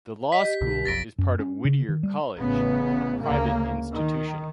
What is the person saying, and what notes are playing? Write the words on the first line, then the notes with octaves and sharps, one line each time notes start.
The law school is part of Whittier College, a private institution.
D#5 B6
G4
C2 B2 D3
F1 B1 F2 A6 A#6 D7
F#2
C#4
C#3
D#3
G3
A1 C#3 B3
D2 C#3 A#3
D#3